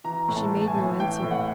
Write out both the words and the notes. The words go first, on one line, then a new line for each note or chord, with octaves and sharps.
She made no answer.
E3 A#5
A2
A5
E3
A5
G#5
A2
E3 G5
A2
F#5